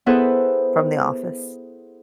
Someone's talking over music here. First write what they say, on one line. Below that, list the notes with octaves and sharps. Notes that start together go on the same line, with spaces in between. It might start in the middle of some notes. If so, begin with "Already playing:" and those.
from the office.
B3 E4 G#4 A4 B4 C5